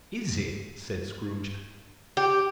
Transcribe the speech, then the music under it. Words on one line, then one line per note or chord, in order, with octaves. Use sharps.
"Is it?" said Scrooge.
G4